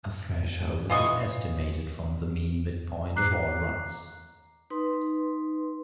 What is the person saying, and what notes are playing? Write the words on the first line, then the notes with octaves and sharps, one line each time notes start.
A threshold is estimated from the mean midpoint of all runs.
E3 F4 D#5 C#6
A#5 D6 F#6 C7
D#4 B4 C6